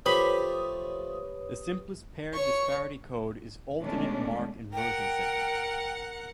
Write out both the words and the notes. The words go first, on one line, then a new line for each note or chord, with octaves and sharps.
The simplest paired disparity code is alternate mark inversion signal.
F3 A3 G4 B4 C#5 B5 C6 D#6
C#5 C#6
B2 D#3 G#3 A3 C#4 D4
A#4 F#5 G5